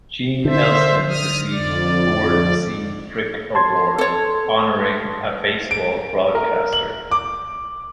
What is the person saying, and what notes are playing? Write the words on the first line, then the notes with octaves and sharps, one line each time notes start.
Gene Elston received the Ford C. Frick Award honoring a baseball broadcaster.
D3 C5 E5
D#6 F6
F2 D5
A5 C6 G#6
A4 C#5
D7
A#4
F#7
D6